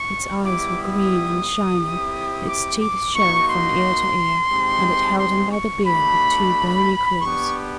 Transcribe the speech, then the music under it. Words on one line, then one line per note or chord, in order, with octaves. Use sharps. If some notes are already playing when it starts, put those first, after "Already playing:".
Its eyes were green and shining, its teeth showed from ear to ear, and it held him by the beard with two bony claws.
Already playing: C#6
G3 B3 E4 G4 D6
D#6
C4 E4 G4
D6
D6
A#3 D#4 F#4 C#6
C6
G#3 C4 D#4 G4
C6
C#6
A3 D4 F#4 B5
B3 D4 G4 C#6